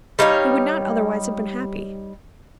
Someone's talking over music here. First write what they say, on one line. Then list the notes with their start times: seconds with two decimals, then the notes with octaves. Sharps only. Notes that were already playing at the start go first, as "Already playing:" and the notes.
He would not otherwise have been happy.
0.19 G3 D#4 C#5 F5